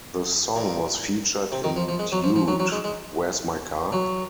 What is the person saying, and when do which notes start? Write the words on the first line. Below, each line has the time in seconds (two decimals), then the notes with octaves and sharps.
The song was featured in Dude, Where's My Car?
0.56 A#2
1.52 C3
1.64 D#3
1.76 F3
1.88 F3
1.99 G#3
2.12 F#3
2.24 F3
2.36 F3
2.48 F#3
2.60 F#3
2.72 G#3
2.84 G#3
3.92 F#3